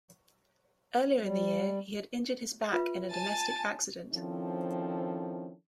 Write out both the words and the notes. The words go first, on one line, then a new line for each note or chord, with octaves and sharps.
Earlier in the year he had injured his back in a domestic accident.
G3
F4 B4 E5
G#5 A5 A6
D#3 F3 C4 C#4 E4 A4